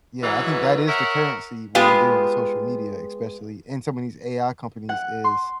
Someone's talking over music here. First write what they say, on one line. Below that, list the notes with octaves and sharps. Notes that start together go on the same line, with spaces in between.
Yeah, I think that is the currency when we're dealing with social media, especially in some of these AI companies, is
G#2 B2 E3 F#3
A#4 C#5 E5 F#5
G#3 B3 F4 G4
F#5
C6